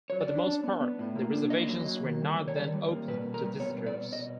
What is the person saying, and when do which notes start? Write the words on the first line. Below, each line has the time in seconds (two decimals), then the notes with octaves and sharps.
For the most part, the reservations were not then open to visitors.
0.10 F#3 C#5
0.21 D5
0.28 D4
0.47 D4
0.64 B3
0.81 B3
0.99 A2
1.16 A#3
1.34 D4
1.50 A#3 D#5
1.68 F#3
1.86 A#3
2.03 D#3
2.21 G3
2.38 D#3
2.48 C#5
2.55 D#3 D5
2.74 G3
2.91 A#3
3.08 B2 B4
3.25 B2
3.34 A#4
3.43 G3
3.60 B3 C#5
3.78 B2
3.86 D5
3.95 B2
4.13 B2 D#5